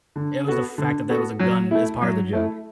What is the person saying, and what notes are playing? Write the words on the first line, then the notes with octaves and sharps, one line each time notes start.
It was the fact that there was a gun as part of the joke,
D3
B3 F#4 A4
D3
B3 F#4 A4
F#3
A3 E4
F#3
A3 E4